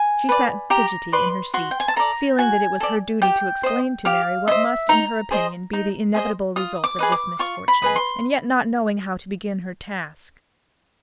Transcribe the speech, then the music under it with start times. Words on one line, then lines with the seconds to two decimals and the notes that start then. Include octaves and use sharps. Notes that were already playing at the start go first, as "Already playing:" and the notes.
She sat fidgety in her seat, feeling that it was her duty to explain to Mary what must, in her opinion, be the inevitable result of this misfortune, and yet not knowing how to begin her task.
Already playing: G#5
0.29 B4 D5
0.70 G4 A#5
1.12 B4 D5 C6
1.54 F#4 C6
1.71 G5
1.80 G#5
1.88 A5
1.96 A4 D5 A#5
2.38 F#4 G#5
2.80 A4 D5
3.22 G4 G5
3.63 C5 D#5
4.05 G4 F5
4.48 C5 D#5 E5
4.89 D#4 A#5
5.31 G#4 C5 D#5
5.73 D#4
6.14 G#4 C5 D#5
6.56 F4 D#6
6.84 D6
6.99 G#4 B4 D#5
7.12 D6
7.39 F4 C#6
7.68 B5
7.82 G#4 B4 D#5
7.96 C6